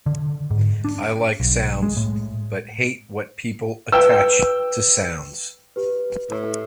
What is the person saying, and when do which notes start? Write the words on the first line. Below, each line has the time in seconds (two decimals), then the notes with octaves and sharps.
I like sounds, but hate what people attach to sounds.
0.06 D3
0.51 G#2
0.85 D4
1.40 B1
1.83 G#3
1.97 A2
3.92 B4 G5 E6
5.76 G4 B4
6.30 A2